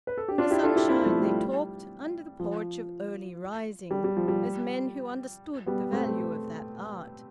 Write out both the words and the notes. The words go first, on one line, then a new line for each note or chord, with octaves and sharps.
In the sunshine they talked under the porch of early rising, as men who understood the value of that art.
B4
A4
G4
D4 F4
E4 G4
F4 A4
E4 G4
C4 E4
F3 A3
G3
F3
G3
G3
F3
G3
G3 B3
A3 C4